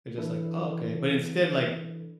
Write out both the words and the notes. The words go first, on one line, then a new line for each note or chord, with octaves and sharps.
They're just, like, "Oh, okay." But instead, like
E3 D4 E4 A4 B4